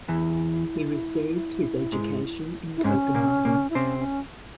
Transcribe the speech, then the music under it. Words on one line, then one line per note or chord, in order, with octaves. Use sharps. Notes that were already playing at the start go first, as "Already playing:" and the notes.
He received his education in Copenhagen.
E2 E3 E4
G#2 G#3
E4
G#2 G#3 C#4
A#2 A#3
A#2 A#3
E4
C3 C4 C#4
C#4